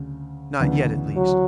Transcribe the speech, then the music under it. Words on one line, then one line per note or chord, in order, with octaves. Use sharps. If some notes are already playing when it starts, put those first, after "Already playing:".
Not yet, at least.
Already playing: D2 C#3
D2 C#3 E3 B3 D4
F#3